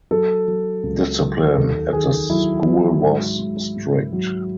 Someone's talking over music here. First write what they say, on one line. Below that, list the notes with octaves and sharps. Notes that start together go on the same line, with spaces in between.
Discipline at the school was strict.
F#3 A4
F#3
C#2
F#3
D#2 A4
D#3 G#4
F#3 E4
F#3
G#2
G#2
G#2
F#3